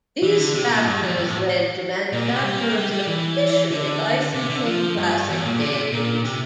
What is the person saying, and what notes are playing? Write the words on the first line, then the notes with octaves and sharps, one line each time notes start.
These factors led to manufacturers officially licensing classic games.
E3
D3
C3
A#2
G2
F2
F2
A2
A#2
C3
G3
A#3
A3
G3
G3
E3
D3
C3
D3
F3
G2
E2
A#2
D3
C3
A#2
C3